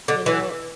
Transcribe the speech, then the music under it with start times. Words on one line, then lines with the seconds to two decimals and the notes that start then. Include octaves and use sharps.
You know
0.08 D3
0.26 E3